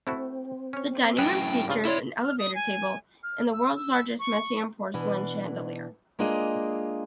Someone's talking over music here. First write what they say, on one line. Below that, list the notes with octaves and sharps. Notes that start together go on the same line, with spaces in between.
The dining room features an elevator table and the world's largest Meissen porcelain chandelier.
A3 C4 E4 F#4
C#4 C#5
F#2 A2 G#4 B4 F#5 G5
G2 C#3 F4
E4 C#5 D5 E5 C6
F6
D#6
G#5
F6
E6
E6
C#6
B2 E3 D4
G#3 A#3 D4 F4 G#4 D#5